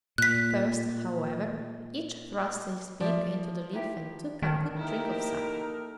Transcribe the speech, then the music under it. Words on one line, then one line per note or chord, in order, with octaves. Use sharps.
First, however, each thrust his beak into the leaf and took a good drink of sap.
A#2 F#6 B6
F3 D5 E5
D#4 E4 G4
D#3 C#4 A4
A#3 D#4 E4 G4 A4 A#4